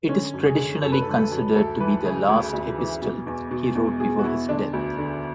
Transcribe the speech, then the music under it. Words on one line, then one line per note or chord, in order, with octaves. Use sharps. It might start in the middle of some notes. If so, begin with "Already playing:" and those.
It is traditionally considered to be the last epistle he wrote before his death.
D3 C#4
F#2
G#4
D3
F#2 A4
B4
D3 A4
A4
F#2
D2 A4
E3 B4
C#3 G#4
D2
D2
E3
B2
E2
B2
E2
B2 G#4
F#4
E2 E4
D3 D4
D2
D3